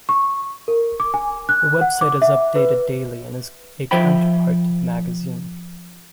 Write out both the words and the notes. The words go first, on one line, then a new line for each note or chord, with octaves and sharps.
The website is updated daily and is a counterpart to the magazine.
C#6
A#4
D6
G#5
F#6
F#5
D6
E5
B4
F3 C5 E5 G5 B5